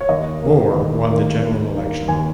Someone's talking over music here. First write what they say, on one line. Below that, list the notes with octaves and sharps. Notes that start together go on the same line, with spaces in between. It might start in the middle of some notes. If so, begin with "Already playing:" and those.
Moore Won the general election.
C#5
D#2 D#5
D#3 A#3
D#2
D#3 A#3
D#2
D#3 A#3
D#2 G#5